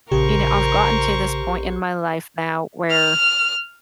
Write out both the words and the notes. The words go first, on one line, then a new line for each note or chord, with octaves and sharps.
you know, I've gotten to this point in my life now where,
A#1 C#3 G4 A#4 C5 C#6
F6